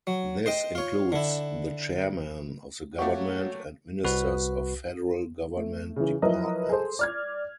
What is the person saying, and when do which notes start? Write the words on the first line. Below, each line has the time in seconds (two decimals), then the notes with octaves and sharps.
This includes the chairman of the government and ministers of federal government departments.
0.07 F#3
0.46 C5 D#5 G5
0.75 F4 C#5
1.12 D3 E4
2.99 F#3 A3 A#3 F#4 G4 C#5
4.04 C2 F#4 B4
5.57 A3
5.96 C#3 E3
6.22 F3 F#3 E4 A#4 B4 D#5
6.69 G#4 A4 C5
6.99 D5 F6 G#6